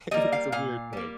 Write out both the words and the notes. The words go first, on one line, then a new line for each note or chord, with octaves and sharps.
it's a weird thing.
G3 A#3 D#5
F5
A#2 F5
G3 A#3